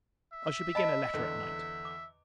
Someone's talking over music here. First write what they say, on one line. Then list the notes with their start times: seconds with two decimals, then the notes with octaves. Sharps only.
I shall begin a letter at night.
0.33 E5
0.75 D#5 A5 B5 D7
1.14 E2 D3
1.85 D6